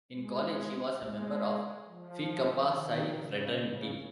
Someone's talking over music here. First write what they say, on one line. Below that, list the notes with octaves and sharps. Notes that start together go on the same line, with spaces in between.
In college, he was a member of Phi Kappa Psi Fraternity.
G#3
G#3
F3
D#3
C#3
C#3